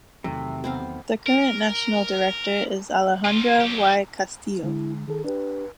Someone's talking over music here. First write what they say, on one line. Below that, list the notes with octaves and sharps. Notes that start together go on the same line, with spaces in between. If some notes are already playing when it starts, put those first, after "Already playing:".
The current National Director is Alejandra Y. Castillo.
E2 C3 D#3 F#3 A3
B3 C4 F5
A#4
C3 F4
F#3 G4
D3 G#3 E4
D#3 G#4 A4
D4 G4 B4